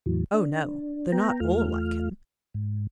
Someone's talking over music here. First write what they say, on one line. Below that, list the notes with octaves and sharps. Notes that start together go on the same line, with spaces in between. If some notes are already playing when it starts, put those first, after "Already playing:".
"Oh no; they're not all like him."
E2 A2 E3 F#3
D4
B3 G5 A#5
E2 A3 F4 F6
G#2